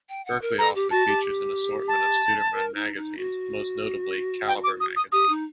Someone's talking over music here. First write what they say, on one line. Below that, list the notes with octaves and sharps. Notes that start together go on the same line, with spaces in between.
Berkeley also features an assortment of student-run magazines, most notably Caliber Magazine.
G5
F#5
A#4
A4 A#5
G4
F#4 A5
G4
A5
A#4
D#4
D#4
F#4
G5
D6
D#6
D#6
G4 D#6
D#4